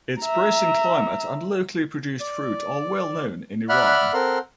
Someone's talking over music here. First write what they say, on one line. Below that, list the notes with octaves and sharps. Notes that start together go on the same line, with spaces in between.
Its bracing climate and locally produced fruit are well known in Iran.
E5 A#5
D5
D5 E5 F#5 B5 F6 F#6
C4 A4 A#4 F#5 C6 F6